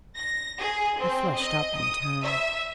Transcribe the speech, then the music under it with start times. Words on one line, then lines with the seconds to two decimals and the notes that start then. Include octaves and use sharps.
I flushed up in turn.
0.16 A#6
0.59 G#4
0.98 C4
1.37 D#5
1.77 D#6
2.23 E5